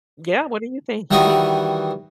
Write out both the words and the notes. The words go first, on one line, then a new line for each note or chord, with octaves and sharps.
Yeah, what do you thinking?
D#3 E3 G3 F#4 E5 D#6